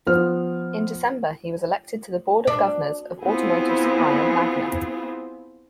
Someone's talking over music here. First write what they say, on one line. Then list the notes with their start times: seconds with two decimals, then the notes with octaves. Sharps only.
In December, he was elected to the board of governors of automotive supplier Magna.
0.06 F3 B3 C5 F6
2.47 D4
3.25 B3 C4 E4 F4 G#4